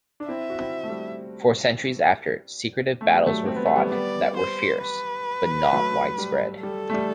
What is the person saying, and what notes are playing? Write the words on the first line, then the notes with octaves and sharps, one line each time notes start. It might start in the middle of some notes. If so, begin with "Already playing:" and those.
For centuries after, secretive battles were fought that were fierce, but not widespread.
D4
C4 E4 E5
F#4
C4 E4
A3
G3
A3
G3
F#3 A3
C4
B3
A3
G3 B3
G3 B3 D5
C5
B4
F#3 A3
G3
G3 A4
A3
G3